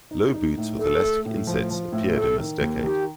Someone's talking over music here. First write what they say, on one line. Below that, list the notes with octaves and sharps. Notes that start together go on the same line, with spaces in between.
Low boots with elastic insets appeared in this decade.
D#4
D#4
A2
A3 A4
A3
A2
F3
F3
A2
A3 A4
D#3
D#2
D#3 G4